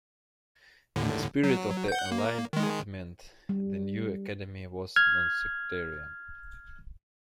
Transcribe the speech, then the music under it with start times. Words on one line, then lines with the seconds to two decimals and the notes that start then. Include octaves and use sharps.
In the spirit of the Enlightenment the new academy was nonsectarian.
0.96 D#2 A2 D3
1.43 F#3
1.88 F#5 G6
2.12 A#3
2.53 D#3 G#3
3.49 G3
4.96 F6 G#6